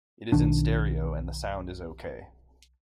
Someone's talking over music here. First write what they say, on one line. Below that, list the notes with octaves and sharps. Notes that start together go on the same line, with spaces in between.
It is in stereo and the sound is okay.
B1 D#3 D4